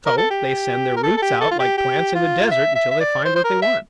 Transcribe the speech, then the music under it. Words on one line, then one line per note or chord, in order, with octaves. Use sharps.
So they send their roots out, like plants in a desert, until they find what they want.
A#4
A4
G4
A#4
A4
A4
G4
A4
F4
G4
G4
F4
E5
E5
E5
D5
C5
C5
A#4
E5